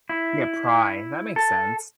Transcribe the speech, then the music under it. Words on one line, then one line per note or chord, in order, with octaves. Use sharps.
Yeah, pry, that makes sense.
E4
A4